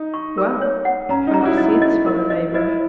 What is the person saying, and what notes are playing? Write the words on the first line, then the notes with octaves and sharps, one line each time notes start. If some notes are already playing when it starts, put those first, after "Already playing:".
Well, I must see this fellow-laborer.
Already playing: D#4
C#6
A#4
C#5
F#5
C#4 A#5
D#4
A#5
F#4
E4
D#5
E4
D#5
A#4
D#5
E4 D#5